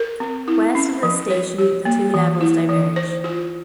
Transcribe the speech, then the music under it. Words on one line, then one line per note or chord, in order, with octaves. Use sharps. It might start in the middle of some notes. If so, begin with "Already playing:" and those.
West of this station, the two levels diverge.
Already playing: A#4
C4
E4
C#4
F3
C#5
G4
A#3
E3
E4
E3
C5
F4